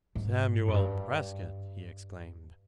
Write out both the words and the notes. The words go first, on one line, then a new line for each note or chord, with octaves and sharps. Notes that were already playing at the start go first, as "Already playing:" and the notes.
"Samuel Prescott!" he exclaimed.
G#2
F#2
G2